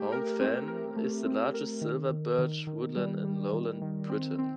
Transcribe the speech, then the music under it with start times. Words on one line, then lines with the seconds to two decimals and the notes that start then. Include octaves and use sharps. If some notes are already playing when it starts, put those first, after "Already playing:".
Holme Fen is the largest Silver birch woodland in lowland Britain.
Already playing: A3 G4
0.12 A#4
0.40 C4
0.68 A#4
0.96 A3
1.25 C4
1.54 A#4
1.82 D#3
2.10 D#3
2.38 D#3
2.67 D#3
2.96 G3
3.25 G3
3.53 D#3
3.82 D#3
4.09 C4
4.38 C4